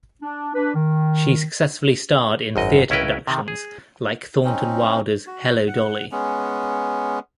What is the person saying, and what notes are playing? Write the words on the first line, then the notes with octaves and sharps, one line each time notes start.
She successfully starred in theatre productions like Thornton Wilder's Hello, Dolly!
D4
D4 B4
D#3
G#1 F#2 D#5
C#2 C#4 E4 A#4 B4 G5
C3 D#3
G#4
C4 C#4 D#4
F#4
F#5
G#3 B3 C#4